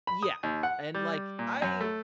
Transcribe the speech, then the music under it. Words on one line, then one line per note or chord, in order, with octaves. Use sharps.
Yeah. And, like, I
B5
D#6
D#2
F#5
G3
A#2
F#2
A3